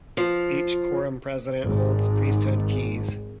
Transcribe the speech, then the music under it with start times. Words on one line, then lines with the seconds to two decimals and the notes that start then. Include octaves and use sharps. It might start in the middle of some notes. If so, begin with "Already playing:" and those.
Each quorum president holds priesthood keys.
0.17 F3
1.65 G#1 G#2